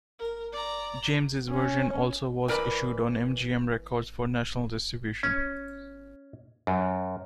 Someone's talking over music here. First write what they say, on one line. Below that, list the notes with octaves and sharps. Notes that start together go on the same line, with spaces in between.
James' version also was issued on M-G-M Records for national distribution.
A#4
D5 A#5
C#4
E3 A#4 D5 B5
C#4
F#2